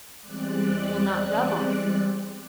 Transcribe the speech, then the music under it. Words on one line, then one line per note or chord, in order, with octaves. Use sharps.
Will not rub off.
E2 G3 G#3 C4 D5 F#6